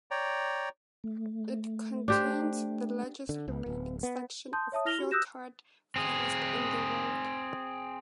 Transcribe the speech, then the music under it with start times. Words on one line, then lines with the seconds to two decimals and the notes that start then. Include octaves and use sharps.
It contains the largest remaining section of pure tuart forest in the world.
0.11 C#5 D5 G5 A#5
1.04 A3
2.08 D4 G4 C5
3.29 D3
3.48 C#2
3.66 D1
4.03 B3
4.53 A5 C6 D#6 G6
4.72 C#5 E5 A5 D#6
4.85 E4 F6 A#6 F7 G7
4.99 F#4 G4
5.11 D#6 E6 F#6 G6 A#6 E7
5.96 C4 G#4